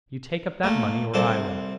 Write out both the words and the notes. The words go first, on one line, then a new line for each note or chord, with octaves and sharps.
You take up that money, or I will.
A3 A#3
C2 C4 A4